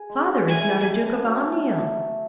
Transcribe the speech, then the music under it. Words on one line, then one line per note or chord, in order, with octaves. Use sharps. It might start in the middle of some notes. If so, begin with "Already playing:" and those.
Father is not a Duke of Omnium.
Already playing: G#4
G#3
C#4
E5 G#5
E4
A4
C#4
F#3
A3